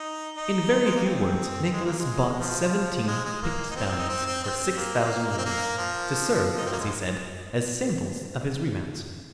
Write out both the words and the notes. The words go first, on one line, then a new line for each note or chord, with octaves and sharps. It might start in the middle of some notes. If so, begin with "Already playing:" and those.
In very few words Nicholas bought seventeen picked stallions for six thousand rubles--to serve, as he said, as samples of his remounts.
Already playing: D#4
D#4
G#3
A#3
C4
G#3
A#3
G#3
G#3
F3
F3
G#3
G#3
A#3
D#4
C4
D#4
C4
C4
C4
A#3
C4
A#3
F3
D#4
C4
A#3
G#3